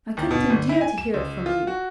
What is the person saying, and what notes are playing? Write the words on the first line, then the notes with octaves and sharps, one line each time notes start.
I couldn't endure to hear it from you.
D#2
B2
G1
E4
G#5
E7
C#2
F4
F#4